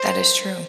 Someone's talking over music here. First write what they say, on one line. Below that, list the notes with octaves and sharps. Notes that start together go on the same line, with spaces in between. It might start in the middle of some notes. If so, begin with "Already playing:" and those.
That is true.
Already playing: C5